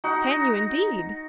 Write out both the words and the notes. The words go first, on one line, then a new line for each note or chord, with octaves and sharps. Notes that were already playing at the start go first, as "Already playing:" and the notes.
"Can you, indeed!"
D#4 F#4